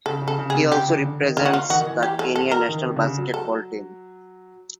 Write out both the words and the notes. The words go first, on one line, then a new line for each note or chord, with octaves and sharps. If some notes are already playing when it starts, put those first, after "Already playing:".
He also represents the Kenya national basketball team.
C#3 A4
C#3
A4
C#3
G#4
C3
C#3 G4
D3
C#3
D3
D#3
D3 F4
F#4
F4
D#3 F#4
D#3
E3
G4
A4
A4
A#4
D#3
C3
D3
C#3
F#3
A4